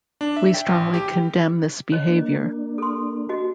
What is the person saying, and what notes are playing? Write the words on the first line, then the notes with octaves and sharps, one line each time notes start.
We strongly condemn this behaviour.
D4
E5
G5
A1
G4
C#5 D#5
A#3 D4
A4 C6
F#4 D#5